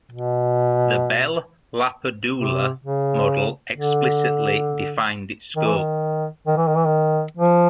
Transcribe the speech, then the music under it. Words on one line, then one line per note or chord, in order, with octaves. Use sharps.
The Bell-LaPadula model explicitly defined its scope.
B2
C3
C#3
D3
D#3
E3
D#3
D#3
E3
D#3
E3
D#3
F3